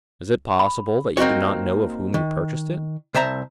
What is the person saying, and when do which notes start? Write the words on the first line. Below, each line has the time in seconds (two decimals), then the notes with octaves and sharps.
"Is it possible that you do not know of whom you purchased it?"
0.59 B5
1.17 A#3 C4 D#4 F#4 C#5
2.14 D#3
3.14 C2 C5 E5 A5 A#5